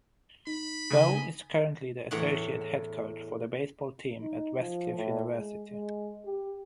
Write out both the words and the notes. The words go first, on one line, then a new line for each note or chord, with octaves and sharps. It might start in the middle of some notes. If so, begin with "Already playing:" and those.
Bo is currently the associate head coach for the baseball team at Westcliff University.
D#4 B5
C#3 D#5 G#5
E2 A2 C#5 F#5
D#4
F3
A2
G#3
G#3
G4